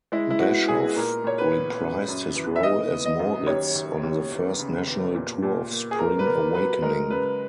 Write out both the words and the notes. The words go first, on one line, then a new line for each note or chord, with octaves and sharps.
Bashoff reprised his role as Moritz on the first National Tour of Spring Awakening.
G#3 E4
E4
B3 F#4
B3 G#4
A#2 A#4
A#2 C#5
B4
B3
F#2
F#2
E3
E5
B3 D#5
B3
D#5
F#2
D#2 C#5
D#2
D#2
E2
C#3
E2
A#2
A#2
A#3
G#4
E2 A#4
B4
E2 A#4
F#3 B4
G#3 A#4
C#3 B4